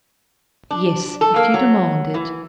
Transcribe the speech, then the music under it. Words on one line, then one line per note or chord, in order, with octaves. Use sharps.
"Yes, if you demand it."
D4
A4
A#3
F#3
E3